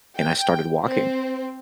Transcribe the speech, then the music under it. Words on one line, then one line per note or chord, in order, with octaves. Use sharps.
and I started walking.
G5
C4